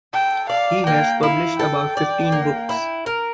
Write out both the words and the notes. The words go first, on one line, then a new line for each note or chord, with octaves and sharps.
He has published about fifteen books.
A4 G5
D5 F5
A#3 G5
E4 F5
A4 G5
D5
A#3
E4
A#4